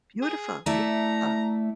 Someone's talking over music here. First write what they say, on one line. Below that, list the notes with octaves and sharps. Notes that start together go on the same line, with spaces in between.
Beautiful, beautiful.
G#4
A3 E4 D5 A#5